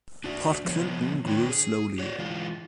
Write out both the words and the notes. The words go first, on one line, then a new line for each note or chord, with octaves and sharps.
Port Clinton grew slowly.
D4 F#4 D5
F3 G3 B3 C#5
D#3 D4 C#5 G5
G#4
G4 C#5 D5
E3 G#3 F4